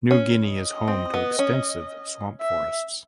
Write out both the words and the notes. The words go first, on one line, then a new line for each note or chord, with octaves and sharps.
New Guinea is home to extensive swamp forests.
C#4
D#5
C4
B3
C#4
E5